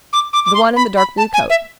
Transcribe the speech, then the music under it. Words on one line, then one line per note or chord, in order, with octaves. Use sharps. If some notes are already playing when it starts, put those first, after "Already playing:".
"The one in the dark blue coat?"
D6
D6
D6
C6
B5
B5
A5
G#5
E5